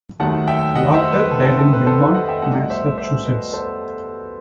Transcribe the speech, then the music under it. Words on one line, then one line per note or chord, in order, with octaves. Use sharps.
Walker died in Belmont, Massachusetts.
D#2 D#3 F#3 A3 F#5 A5
E5 G5
D#5 F#5
C5 E5
B4
A4
A4 C5
A4
B4
A4 C5
B4
D#5 F#5
E5 G5
C2 B2 A3 D#5 F#5
C5 E5
C5 E5
B4 D#5
A4 C5